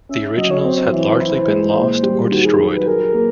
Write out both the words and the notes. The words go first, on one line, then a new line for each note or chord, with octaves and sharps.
The originals had largely been lost or destroyed.
C#4 E5
E5
F#3 D#5
C#5
C4 C5
E3 C5
E4
G#3
A#2
G3
D#3 F#4
G#4
F#3
B4
G#4 A#4
A#3